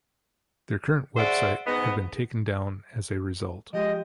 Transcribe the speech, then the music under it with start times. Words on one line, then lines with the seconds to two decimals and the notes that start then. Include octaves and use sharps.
Their current website have been taken down as a result.
1.17 F#4 G#4 C5 D5 E5 F#5
1.66 G#2 B3 D#5
3.73 F3 G#3 G4 D#5